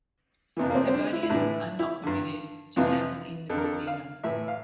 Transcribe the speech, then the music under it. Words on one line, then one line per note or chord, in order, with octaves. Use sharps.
Cambodians are not permitted to gamble in the casinos.
F2 C3 E3
A#3
C4
C4
D4
E4
E4
A2 E3 D4
E4
G2 D3
F2 C3 E3 F4
F2 D3 A4
A#4
A4
F5
A2 E3 E5
F5